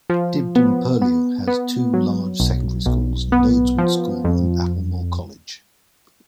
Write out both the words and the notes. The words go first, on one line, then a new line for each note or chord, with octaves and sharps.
Dibden Purlieu has two large secondary schools; Noadswood School and Applemore College.
F3
B3
B3
B3
F#3
B1
B1
B3
F3
F2